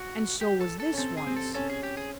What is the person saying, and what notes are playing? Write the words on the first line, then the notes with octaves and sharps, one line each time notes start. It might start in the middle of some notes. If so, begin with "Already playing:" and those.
And so was this one's.
Already playing: F#4
G4
A4
A4
C#4
C4 A4
G#4
C4
A4
C#4 A4
G#4
G4
G#4